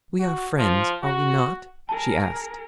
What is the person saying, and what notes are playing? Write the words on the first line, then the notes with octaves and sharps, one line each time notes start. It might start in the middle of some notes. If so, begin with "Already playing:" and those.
"We are friends; are we not?" she asked.
F#4
F3
F#4
G#4 A#4 A5